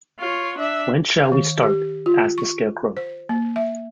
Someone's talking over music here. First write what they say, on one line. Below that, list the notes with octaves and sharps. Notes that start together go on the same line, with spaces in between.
When shall we start? asked the Scarecrow.
F4 C#5
D4 E5
F5
D#3
G4
F4
C#6
C5
A#3
E5